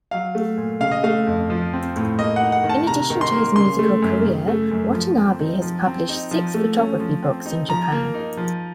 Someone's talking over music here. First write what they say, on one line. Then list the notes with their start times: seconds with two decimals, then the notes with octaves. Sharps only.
In addition to his musical career, Watanabe has published six photography books in Japan.
0.11 F#3 F5
0.35 A3
0.57 A#2
0.80 C#3 F5
0.91 D#5
1.03 A3 F5
1.27 F2
1.50 F3
1.73 C4
1.96 A2
2.19 A#3 D#5
2.36 F#5
2.42 D#4
2.52 F#5
2.64 D#3
2.69 A5
2.87 C3 A#5
3.10 D#3
3.21 C6
3.33 A#3
3.56 C#3 C6
3.79 A3
4.02 F#2
4.26 C#3
4.48 A3
4.71 F#2
4.93 F3
5.17 C4
5.40 D#4
5.62 F3
5.86 C4
6.09 D#4
6.31 F3
6.54 A3
6.78 C#4
7.00 F3
7.23 C4
7.46 D#4
7.69 F3 A#5
7.92 A#3
8.14 D#4
8.37 F3